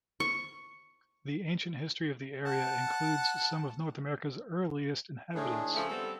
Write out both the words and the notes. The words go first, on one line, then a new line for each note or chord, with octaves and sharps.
The ancient history of the area includes some of North America's earliest inhabitants.
C#6
F#5 A5
A2 D#3 D4 G#4
C#3 F3 A3
G3 B3 C4 A4